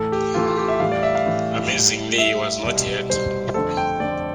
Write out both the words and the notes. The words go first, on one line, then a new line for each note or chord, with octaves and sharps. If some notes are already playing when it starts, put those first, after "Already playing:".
Amazingly, he was not hurt.
Already playing: A2 E3 A3 A4
G4
A2 E3 A3 F4
F4
G4
E5
A2 E3 G3 F5
D5
E5
F5
A2 E3 G3
A2 G3
A2 G3 E5
C2 B2 G3
C2 B2 G3 C5
F2 D3 F3 A3 A4
G5
F2 D3 F3 A3 D5